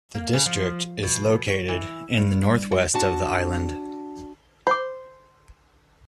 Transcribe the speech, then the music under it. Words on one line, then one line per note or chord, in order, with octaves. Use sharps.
The district is located in the northwest of the island.
A#3
C#3
F3
B2
C#5
E3
G2
F#4
D4 F#4 A5
C5 B5 D6